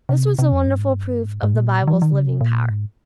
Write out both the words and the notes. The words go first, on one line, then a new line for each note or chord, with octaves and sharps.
This was a wonderful proof of the Bible's living power.
C3
C3
F2
G2
G#2
G2
G#2
G#2
A#2
C#3
D#3
F3
D#3
C#3
C3
A#2
G#2